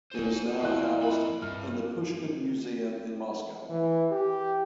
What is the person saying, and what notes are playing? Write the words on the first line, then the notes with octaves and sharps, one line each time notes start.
It is now housed in the Pushkin Museum in Moscow.
C5 G#5
E2 C4 E4 D#5 F#6
F2 B5
G2 F6
E3
G4